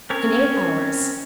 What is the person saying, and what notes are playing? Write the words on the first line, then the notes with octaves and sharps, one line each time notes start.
"In eight hours."
C4 C#4 A#4 C#5